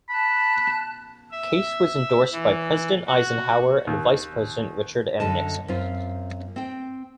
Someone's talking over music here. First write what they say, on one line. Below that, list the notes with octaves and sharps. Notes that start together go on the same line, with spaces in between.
Case was endorsed by President Eisenhower and Vice President Richard M. Nixon.
A5 B5 F#6
E5
E3
F#4
D#2
F#2 D3 D#5 A5
F#2 C4 F4
C4 G5